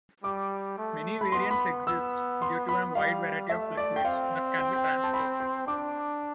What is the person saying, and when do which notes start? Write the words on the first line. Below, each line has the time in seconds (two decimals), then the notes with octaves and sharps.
Many variants exist due to the wide variety of liquids that can be transported.
0.24 G3 D6
0.78 A3
1.21 B5
1.32 B3 C6
1.51 B5
1.87 B3 E6
2.42 C6
2.69 B5
2.95 G3 F5
3.49 A3 E5
3.77 D5
3.96 G5
4.04 C4 F5
4.59 G5
4.76 G5
5.04 A5
5.14 B5
5.40 C6
5.67 D4 D6